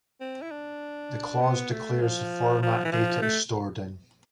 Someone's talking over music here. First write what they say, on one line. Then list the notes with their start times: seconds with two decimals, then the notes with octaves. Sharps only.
The clause declares the format data is stored in.
0.21 C4
0.42 E4
0.51 D4
1.41 B3
1.71 A3
2.01 F3
2.62 F3
2.85 E3
2.92 F3
3.22 A3